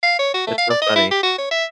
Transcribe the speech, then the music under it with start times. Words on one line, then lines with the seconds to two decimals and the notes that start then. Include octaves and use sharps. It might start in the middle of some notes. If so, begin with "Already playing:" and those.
That's so funny.
0.03 F5
0.19 C#5
0.34 F#4
0.47 A3
0.58 F5
0.70 D5
0.82 D#5
0.95 E4
1.11 G4
1.23 F#4
1.38 C#5
1.51 E5